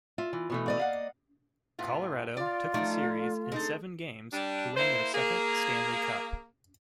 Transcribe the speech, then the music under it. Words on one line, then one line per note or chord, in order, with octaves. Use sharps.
Colorado took the series in seven games to win their second Stanley Cup.
F4 E5
E3
B2 E3 A3
A#3 D5 D#5
F5 F#5
A2 B3 F4
F4 D5
F3 A3 D#4 D5
G#3 C4 D#4 A4
G3 D4
A#3 E4 C5
A#3 G#4